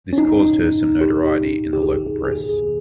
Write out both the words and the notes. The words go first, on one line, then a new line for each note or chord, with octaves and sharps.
This caused her some notoriety in the local press.
C#4
D#4
G4
G4
G#4
G#4